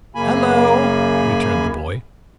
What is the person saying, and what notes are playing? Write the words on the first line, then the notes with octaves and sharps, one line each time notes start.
"Hallo!" returned the boy.
F#2 C#3 A#3 G#5 B5